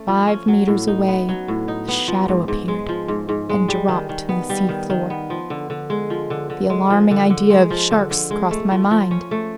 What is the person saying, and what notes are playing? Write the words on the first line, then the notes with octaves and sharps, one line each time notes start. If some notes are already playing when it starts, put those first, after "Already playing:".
Five meters away a shadow appeared and dropped to the seafloor. The alarming idea of sharks crossed my mind.
Already playing: A3 C#4
F3
C#4
F#3
A2
D#4
B3
F#3
A2
D#4
B3
F3
G#2
G#2
G#3
F3
G#2
G#2
G#3
G3
D#3
D#3
B3
G3
D#3
D#3
B3
F3
D3
D3
G#3
F3
D3
D3
G#3
F3
D3
D3
G#3
F3
D3
D3
G#3
A3
F3
F3
C#4
A3